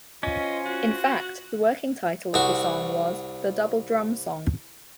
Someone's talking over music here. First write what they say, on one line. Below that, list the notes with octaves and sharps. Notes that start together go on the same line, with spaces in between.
In fact, the working title of the song was "The Double Drum Song".
C#4 F4 C5 D#5
F#4
C2 F#4